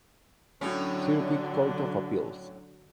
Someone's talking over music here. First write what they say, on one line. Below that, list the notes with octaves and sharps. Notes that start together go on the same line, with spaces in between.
Circuit Court of Appeals.
A2 D3 F#3 C#4